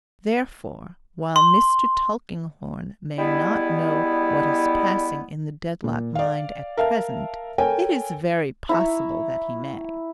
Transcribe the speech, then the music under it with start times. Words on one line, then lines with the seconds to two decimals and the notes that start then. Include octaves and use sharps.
Therefore, while Mr. Tulkinghorn may not know what is passing in the Dedlock mind at present, it is very possible that he may.
1.36 C6
3.18 G3 G#3 B3 E4
5.84 A#2
6.15 D5 F5
6.77 A#4 E5 F5 A5
7.58 A4 A#4 C#5 G5 G#5
8.69 E4 E5 A#5 C#6